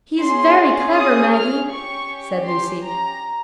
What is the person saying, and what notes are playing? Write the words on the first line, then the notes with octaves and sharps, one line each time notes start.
"He is very clever, Maggie," said Lucy.
C#4 F4 G#4 C6
D#6
F6
C#4 G4 C#6
C6
A#5